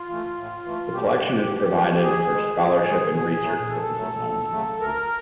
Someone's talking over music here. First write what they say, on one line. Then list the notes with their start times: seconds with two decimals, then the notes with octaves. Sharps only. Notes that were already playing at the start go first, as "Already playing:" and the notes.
The collection is provided for "scholarship and research purposes only".
Already playing: F4
0.09 E3 A3
0.38 A2
0.65 E3 A3
0.92 B2 G4
1.20 G#3
1.48 B2
1.76 G#3
2.03 D#2 G#4
2.31 D#3 G#3
2.59 D#2
2.87 D#3 G#3
3.14 B2
3.42 F#3 A3
3.70 B2 A4
3.98 F#3 A3
4.25 D2
4.52 C#3 F#3 A3
4.80 D2 A#4